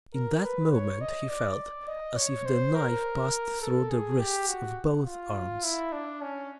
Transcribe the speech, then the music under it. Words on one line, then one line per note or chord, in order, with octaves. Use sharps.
In that moment he felt as if the knife passed through the wrists of both arms.
A#4
B4
C#5
D#5
D5
D#5
C#5
C5
A#4
A4
G#4
G4
F#4
F4
E4
D4
C#4